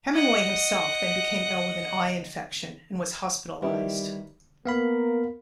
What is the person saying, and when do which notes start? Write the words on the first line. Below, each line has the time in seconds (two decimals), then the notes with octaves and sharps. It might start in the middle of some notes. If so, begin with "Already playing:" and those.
Hemingway himself then became ill with an eye infection and was hospitalized.
0.15 D#5 F#5
3.62 D#3 G3 E4 B4
4.65 A#3 B3 A#4 F5 B5